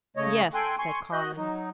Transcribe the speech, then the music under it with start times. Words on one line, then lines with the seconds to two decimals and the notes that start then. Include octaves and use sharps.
"Yes," said Carling.
0.17 C#3 A3 C#5 D#5
0.54 A4 G5 G#5 C6 F#6
0.78 G#5 C6 C#6
1.12 F#4 D#5 F#6 G6
1.37 F#3 D#4